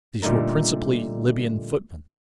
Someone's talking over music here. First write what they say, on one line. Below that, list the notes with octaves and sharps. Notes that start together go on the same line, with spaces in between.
These were principally Libyan footmen.
A#2 D3 G3 A3 D#4 A#4